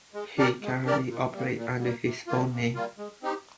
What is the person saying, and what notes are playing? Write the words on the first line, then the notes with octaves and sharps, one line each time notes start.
He currently operates under his own name.
G#3
D4 G4 A#4 D5
G#3
D4 G4 A#4 D5
A#2
G3 A#3
A#2
G3 A#3
C3
G3 A#3 F4
C3
G3 A#3 F4
G#3
C4 D#4 G4